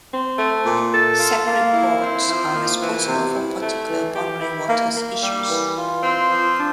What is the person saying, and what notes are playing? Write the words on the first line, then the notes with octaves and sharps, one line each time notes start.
Separate boards are responsible for particular boundary waters issues.
C4
A3
A#2
A4
F4
A#3
E4
C4
F3
A#3
E3
C3
E4
A3
E3
G4
E4
A#3
A#3
G3
E3
F4
C4
F3
D4